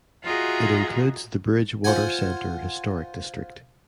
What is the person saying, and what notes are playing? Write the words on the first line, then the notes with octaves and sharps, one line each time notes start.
It includes the Bridgewater Center Historic District.
F4 F#4 G#4 D#5 E5 A#5
F4 C5 F#5 G#5